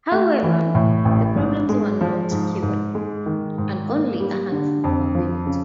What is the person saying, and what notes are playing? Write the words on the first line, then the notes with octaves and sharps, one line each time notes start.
However, the problems were not cured, and only a handful were built.
A3
E3
A2
A1
G#2
G#3
F3
G#2
G#2
G#3
D#3
G#2
A#3
G3
D3
F2
F3
C#3